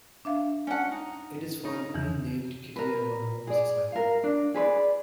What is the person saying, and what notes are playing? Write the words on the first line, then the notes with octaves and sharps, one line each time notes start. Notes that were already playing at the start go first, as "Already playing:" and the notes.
It is formally named "Kitayama no misasagi".
D4 E5 F5
C#4 F#5 G#5 A5
D#4
D#4
F2 C#3 E3
A#4 B4
G#4 D5
A#4 F5
D4
G#4 B4 C5 D5